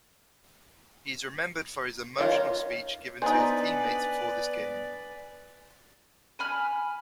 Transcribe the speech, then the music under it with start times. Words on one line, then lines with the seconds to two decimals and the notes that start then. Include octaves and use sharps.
He is remembered for his emotional speech given to his teammates before this game.
2.18 D#3 F4 C#5
3.22 B3 D4 D#4 B4 C5 D5 G#5
6.39 G#5 B5 F6